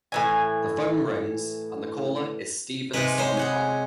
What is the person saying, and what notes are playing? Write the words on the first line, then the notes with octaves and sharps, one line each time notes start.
The phone rings, and the caller is Stephen Sondheim.
A2 E3 G#5
C3 G#3 D#4 A#4 B4
G#3 C#4 C5
G#4 F#5 G#5